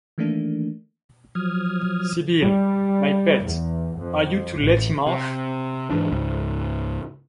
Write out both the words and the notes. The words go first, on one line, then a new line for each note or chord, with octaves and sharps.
Sybil, my pet, are you to let him off?
D#3 E3 A3 A#3 D4
F3 F#3 D#6 F6 G#6
G3
E2
F2
A1
C3
G#2 E3 D4
C#2 G#2